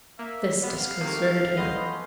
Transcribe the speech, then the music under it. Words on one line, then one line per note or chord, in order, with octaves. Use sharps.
This disconcerted him.
A#3 E5
C3 B3 F5
C3 D#3 A3 A#3
B3 C#4 C5 D#5